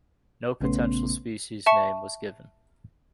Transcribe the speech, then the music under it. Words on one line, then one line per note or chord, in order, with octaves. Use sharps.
No potential species name was given.
A#1 C#3 A3 B3 C#4 C6
E5 A5 C#6 C#7